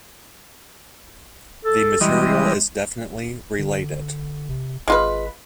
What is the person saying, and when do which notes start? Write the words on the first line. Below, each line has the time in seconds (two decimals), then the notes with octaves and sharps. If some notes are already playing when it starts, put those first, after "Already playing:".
The material is definitely related.
1.65 A4
2.01 E3 G3 G#3 D#5
3.59 D3
4.49 C3
4.88 G#1 G#3 F4 B4